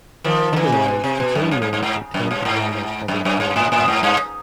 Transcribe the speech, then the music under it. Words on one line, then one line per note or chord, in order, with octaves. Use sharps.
Otherwise, its own noise would tend to drown out other sonar targets.
D#3 F3
D#3
D3 E3
C3
B2
C3
B2
F#2
G2
G2
G2
G#2
F#2
G2
G#2
F#2
F#2
G2
A2
A2
G#2
G2